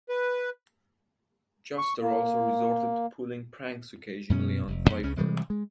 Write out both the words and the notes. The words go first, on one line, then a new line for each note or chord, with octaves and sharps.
Juster also resorted to pulling pranks occasionally on Feiffer.
B4
C#6
A#3
F#2 B2 C#4
F1
F2 B3
C#2 C#3 C#4
C3 E3 G3 G#3
G#3